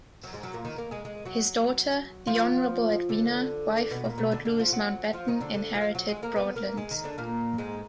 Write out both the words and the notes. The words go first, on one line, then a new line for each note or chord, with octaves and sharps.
His daughter, the Honourable Edwina, wife of Lord Louis Mountbatten, inherited Broadlands.
F#2 F#3
G#2 G#3
F#2 F#3
A#2 A#3
D#3 D#4
A#3 A#4
G#3 G#4
G#3 G#4
F#3 F#4
F3 F4
D3 D4
B2 B3
A#2 A#3
B2 B3
D3 D4
D3 D4
F3 F4
F#3 F#4
F3 F4
D#3 D#4
D3 D4
D3 D4
F3 F4
F#3 F#4
G#3 G#4
A#3 A#4
B3 B4
A#3 A#4
G#3 G#4
D#3 D#4
D3 D4
A#2 A#3
G#2 G#3